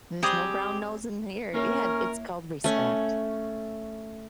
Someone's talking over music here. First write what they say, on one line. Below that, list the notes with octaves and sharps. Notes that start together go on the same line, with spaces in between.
There's no brown nosing here Yeah, it's called respect.
G3 C4 G4 G#4 D#6
A#3 C#4 E4 A#4 C#5
A3 C#4